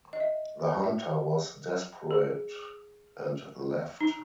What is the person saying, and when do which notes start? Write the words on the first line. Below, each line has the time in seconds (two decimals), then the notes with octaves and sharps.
The hunter was desperate and left.
0.13 D#5
0.20 E5
0.84 E5
2.11 G#4
4.01 D#4